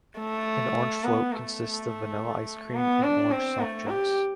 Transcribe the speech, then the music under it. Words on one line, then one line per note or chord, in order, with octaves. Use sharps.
An orange float consists of vanilla ice cream and orange soft drinks.
A3
B3
A3
B3
D4
C4
A3
G4